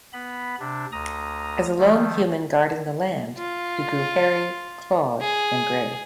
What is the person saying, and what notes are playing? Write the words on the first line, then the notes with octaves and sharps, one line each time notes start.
As a lone human guarding the land, he grew hairy, clawed and gray.
B3 B5
C3 D4
D2 A#5 D#6
D#3 F3 A3
F4
G#4